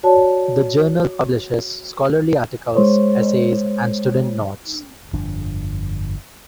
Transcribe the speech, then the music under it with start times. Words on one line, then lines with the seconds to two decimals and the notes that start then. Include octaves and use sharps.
The journal publishes scholarly articles, essays, and student notes.
0.03 F#4 C#5 D5 A5
2.75 G#3 C5 C#5
5.13 G1 F2 F3 D4